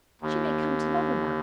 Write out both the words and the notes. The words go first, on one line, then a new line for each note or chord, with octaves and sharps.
She may come to love a man.
D#2